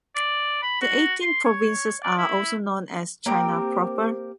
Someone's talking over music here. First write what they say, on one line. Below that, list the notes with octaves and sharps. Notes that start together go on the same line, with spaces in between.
The eighteen provinces are also known as "China proper".
D5
B5
F#4
C6
C#5
D5
E4
A#3 C4 G4 A#4